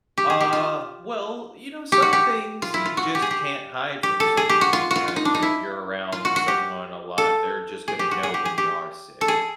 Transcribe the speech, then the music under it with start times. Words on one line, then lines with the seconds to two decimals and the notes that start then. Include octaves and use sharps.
Uh, well, you know, some things you just can't hide from some people, right? So, if you're around someone a lot, they're just gonna know when you are sick.
0.18 G4
0.30 G#4
0.40 G4
0.53 F4
1.92 G4
2.02 F#4
2.13 G4
2.62 F4
2.74 E4
2.86 F4
2.97 F#4
3.15 G4
3.22 G#4
3.31 G4
4.03 G4
4.20 A4
4.37 G#4
4.49 G4
4.61 F#4
4.73 F4
4.91 F4 F#4
5.08 F4
5.16 D#4
5.25 D4
5.35 D#4
5.42 E4
6.12 F4
6.25 F#4
6.36 F#4
6.48 G4
7.18 A4
7.88 G#4
7.99 G4
8.11 F#4
8.23 G#4
8.34 G4
8.45 G#4
8.58 G4
9.21 A4
9.28 G#4